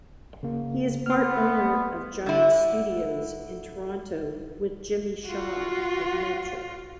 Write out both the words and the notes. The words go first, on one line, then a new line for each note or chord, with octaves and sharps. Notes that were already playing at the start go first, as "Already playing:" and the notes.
He is part owner of Giant Studios in Toronto with Jimmy Shaw of Metric.
C#3 A#3
B3 C6 F6
D3 E4
F4 F#4